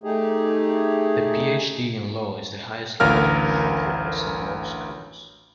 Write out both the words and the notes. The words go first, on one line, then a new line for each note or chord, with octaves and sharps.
The Ph.D. in law is the highest law degree offered by some law schools.
A3 D#4 G4 G#4
A1 D2 A#4 F5 F6